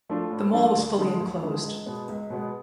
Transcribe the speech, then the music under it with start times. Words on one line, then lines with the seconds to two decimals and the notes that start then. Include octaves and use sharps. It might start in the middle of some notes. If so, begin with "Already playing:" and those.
The mall was fully enclosed.
0.09 F3 A3 D4 F4
0.31 A2
0.53 F3 A3 D4 F4
0.75 D2
0.98 D3 F3 G#3
1.20 D2
1.43 D3 F3 G#3
1.64 C#2
1.86 B2 G#3 B3
2.09 C#2
2.30 B2 G#3 B3